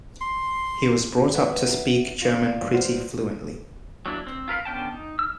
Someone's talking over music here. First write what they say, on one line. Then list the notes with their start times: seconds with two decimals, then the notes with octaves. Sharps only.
He was brought up to speak German pretty fluently.
0.21 C6
1.34 C#4 B4 E5 F#5
2.22 F4 D5
2.72 G2 F4 F#4 C5
4.06 F#3 A#3 D4 E4
4.27 C4
4.48 F4 A#4 B4 F5
4.65 D3 B3 C#4 G5 A5
4.92 D#4
5.19 E6 F6